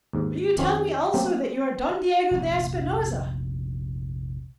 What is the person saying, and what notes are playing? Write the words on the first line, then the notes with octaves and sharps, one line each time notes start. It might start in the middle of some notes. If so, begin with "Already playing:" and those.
"Will you tell me also that you are Don Diego de Espinosa?"
D#2 G#2
F2 D#3 C4 C#4 F4
F#3 A3 A#3 C4 C#4 G4
F1 A#1